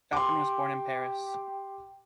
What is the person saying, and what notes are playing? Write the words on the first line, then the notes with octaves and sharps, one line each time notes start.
Chapelain was born in Paris.
G4 C6 D6